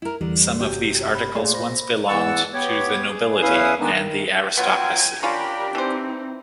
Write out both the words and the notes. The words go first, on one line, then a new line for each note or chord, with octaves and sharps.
Some of these articles once belonged to the nobility and the aristocracy.
E4 A#4
E2 D3 E3 G3
G1 C3 F#4 G4 G#5
B5
A#2 A3 G#4 D5 C6
C5 B5 A#6
E2 E3 F#5 A5 E6
B3 G4 C#5
G#4
E2 C#4 E4 B4 F5 D#6
D#3 G#3 B3 D4 D#4
D#3
F#3 B3 F4 G5 G#5
C#4 D4 F4 G4 A#4 B5
E3 C4 D#4 C5